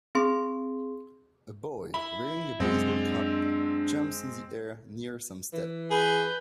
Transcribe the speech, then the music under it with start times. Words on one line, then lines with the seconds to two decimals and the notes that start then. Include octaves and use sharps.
A boy, wearing a baseball cap, jumps in the air near some steps.
0.15 C4 G#4 C6
1.94 E4 B5
2.60 F#2 G#3 C4 D4 F#5
5.53 E3
5.91 G#4 B4 G6